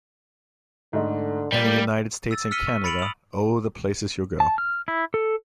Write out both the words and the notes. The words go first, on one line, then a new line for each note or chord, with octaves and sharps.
In the United States and Canada, Oh, the Places You'll Go!
G#2 D3 A3 D#5
G3 A#3 A6 D#7
E6 A6
E6 F6 B6 C#7 D#7 G7
C#6
B5 A6 C#7 D7 F7 F#7
D#6 F7
A5
F6
E4
A4